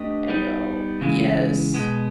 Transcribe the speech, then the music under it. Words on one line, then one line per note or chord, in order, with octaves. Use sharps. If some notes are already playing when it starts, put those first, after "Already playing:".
I know. Yes.
Already playing: A3 D4 G4 B4 D#5
G3 B3 D#4
C#3 E3 G#3
B2 G#3 B3